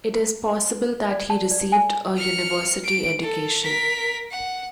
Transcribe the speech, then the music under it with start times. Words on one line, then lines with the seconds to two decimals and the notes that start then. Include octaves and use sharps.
It is possible that he received a university education.
1.11 D5
1.30 A5
1.51 D5
1.72 G#5
2.17 F6 C#7
2.84 D7
3.21 A4
3.64 A#4 B6
4.31 F#5